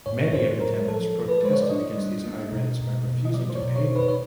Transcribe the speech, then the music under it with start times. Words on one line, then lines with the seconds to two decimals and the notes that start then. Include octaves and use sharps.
Many of the tenants protested against these high rents by refusing to pay them.
0.06 A2 C#5
0.33 A2 C5
0.60 F#3 A#4
0.88 F3 A4
1.15 F3
1.28 B4
1.43 G#3 C5
1.53 C#5
1.62 D5
1.70 D4 D#5
1.97 G3
2.25 A#3
2.52 B2
2.80 B2
3.07 B2
3.25 D#5
3.34 F#3 D5
3.50 C5
3.55 C#5
3.62 B2
3.76 C#5
3.89 D#4
3.96 B4
4.08 C#5